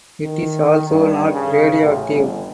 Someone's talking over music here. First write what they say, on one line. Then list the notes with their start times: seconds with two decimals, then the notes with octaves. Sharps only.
It is also not radioactive.
0.22 D#3
0.90 G2
1.33 C#3
1.82 A1
2.11 G1